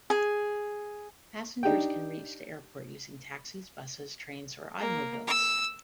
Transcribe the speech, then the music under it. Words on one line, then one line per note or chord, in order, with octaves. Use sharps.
Passengers can reach the airport using taxis, buses, trains, or automobiles.
G#4
D4 D#4 G4 G5
A#3
E6